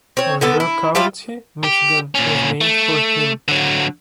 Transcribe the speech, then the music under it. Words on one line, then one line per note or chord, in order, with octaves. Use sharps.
Alger County, Michigan, is named for him.
C4 C#5
D3 B3 A4
E4
G3 E4 F4 F5
G4
A#2 C#4
A3
D3 F#3